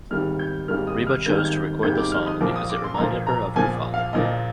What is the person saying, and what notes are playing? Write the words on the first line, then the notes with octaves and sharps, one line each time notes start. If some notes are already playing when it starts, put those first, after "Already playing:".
Reba chose to record the song because it reminded her of her father.
G#1 G#2 D#3 G3 A#3 F6
G6
G#1 G#2 D#3 G3 A#3 F6
D#6
F6
G#1 G#2 D#3 G3 A#3 G6
F6
G6
G#1 G#2 D#3 G3 A#3 G6
D6
F6
D#6
A#1 A#2 F3 A#3 D6
D#6
D6
C6
A#5
A#1 A#2 F3 A#3 C6
A#5
A#1 A#2 F3 A#3 G#5
F5
A#1 A#2 F3 A#3 D#5